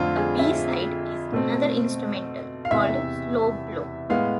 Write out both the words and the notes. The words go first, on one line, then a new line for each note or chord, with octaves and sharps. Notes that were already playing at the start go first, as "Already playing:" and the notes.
The B-side is another instrumental, called "Slowblow".
Already playing: F2 D3 A3 C4 F4
G#4
E5
B2 A3 C4
F5
E2 C3 E3 E5
A2 G#3 B3 F5